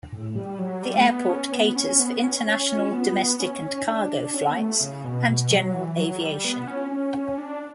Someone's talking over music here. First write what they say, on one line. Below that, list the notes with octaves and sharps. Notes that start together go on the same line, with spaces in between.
The airport caters for international, domestic and cargo flights and general aviation.
A2
G3
F#3
G3
A3
B3
C#4
B3
C#4
B3
C#4
C#4
B3
C#4
D4
C#4
B3
A3
C#3
B2
B2
F#3
E3
F#3
G3
B3
C#4
C#4
C#4
D4